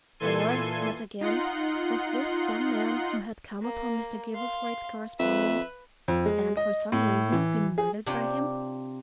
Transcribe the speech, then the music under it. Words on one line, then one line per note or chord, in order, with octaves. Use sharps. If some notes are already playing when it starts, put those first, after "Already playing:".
Or--yet again--was this some man who had come upon Mr. Gilverthwaite's correspondent, and, for some reason, been murdered by him?
A#2 E3 A4 C6 G#6 D#7
D#4 F4 F#5 C6
A#3
F5 C6
F2 B4 E5
F2
G#3
D#5
A2
E3
G#4
C3 D4 F4 G4 C#5